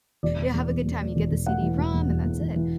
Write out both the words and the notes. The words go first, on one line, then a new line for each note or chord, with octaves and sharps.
Yeah, have a good time, you get the CD-ROM and that's it.
E1 D5
E1
E2
E2
E2
A3
E1
E1
A3 F#5
E3
E1
E2
E2
E2
E1
E3